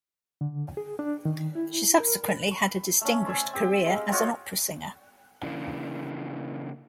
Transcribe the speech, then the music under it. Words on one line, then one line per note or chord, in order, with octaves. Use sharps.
She subsequently had a distinguished career as an opera singer.
D3
G#4
D4
D#3
E4
A#4
C#6
A3 C#4
C5 D5 E5 G#5
C4 G4
G#3 F5
F4 F#4 C#5 D#5
C#3 E3 A#3 D4